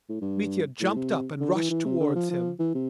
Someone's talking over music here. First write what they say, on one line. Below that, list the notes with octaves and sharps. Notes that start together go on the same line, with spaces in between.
Mitya jumped up and rushed towards him.
A2
G2
A2
C3
D3
E3
E3
C3
D3
F3
F3
E3
C3